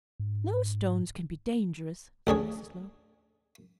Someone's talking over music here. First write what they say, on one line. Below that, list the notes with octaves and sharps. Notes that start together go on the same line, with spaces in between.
"No stones can be dangerous," said Mrs. Low.
G#2
A1 D3 G#4 C#5